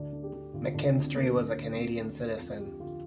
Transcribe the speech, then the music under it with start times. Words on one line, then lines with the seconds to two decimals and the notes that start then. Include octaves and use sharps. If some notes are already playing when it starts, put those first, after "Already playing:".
McKinstry was a Canadian citizen.
Already playing: D2 D4
0.13 D3
0.23 G4
0.33 D3
0.53 D2 F4
0.74 D2 D4
0.95 D3 C4
1.15 D3 A#3
1.36 D2
1.56 D2
1.77 D3 C4
1.98 D3
2.18 D2
2.38 F2 F4
2.59 D3 G4
2.79 D3 F4